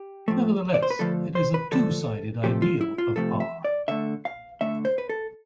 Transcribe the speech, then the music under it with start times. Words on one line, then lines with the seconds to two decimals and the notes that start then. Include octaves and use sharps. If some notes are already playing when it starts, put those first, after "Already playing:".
Nevertheless, it is a two-sided ideal of "R".
Already playing: G4
0.28 A2 F3 A3
0.74 D5
0.83 C5
0.90 B4
0.99 D3 F3 A3 A4
1.35 C5
1.54 B4
1.72 D3 F3 A3 A4
2.44 C3 F3 A3 G4
2.62 F4
2.81 E4
2.98 F4
3.16 C3 F3 A3 A4
3.40 E5
3.65 D5
3.88 D3 A3 E5
4.25 F5
4.61 D3 A3 E5
4.85 C5
4.98 B4
5.09 A4